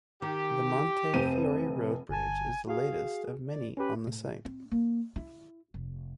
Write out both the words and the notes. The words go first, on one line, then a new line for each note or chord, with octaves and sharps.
The Montefiore Road bridge is the latest of many on the site.
D#3 G4
F1 C4 D#7
G1 G#5 A5
F#4 G#4 F5
D5
C#4 G4 B4
A2
C4
A#3
E4
F1